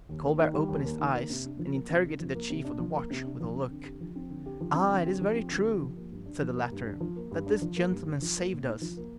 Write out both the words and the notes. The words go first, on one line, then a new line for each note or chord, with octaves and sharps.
Colbert opened his eyes and interrogated the chief of the watch with a look--"Ah! it is very true," said the latter, "that this gentleman saved us."
D#2
A#3
D#3
G3
D#2
A#3
D#3
A#3
C3
D4
F3
A#3
C3
D4
F3
A#3
C3
D4
F3
A#3
C3
D4
F3
C4
D3
G4
F3
C4
D3
G4
F3
C4
D3
G4
F3
C4
D3
G4
F3
A#3
G2
D4
F3
A#3
G2
D4
F3
A#3
G2
D4
F3
A#3
G2
D4
F3
A#3
A#2
D#4
F3
A#3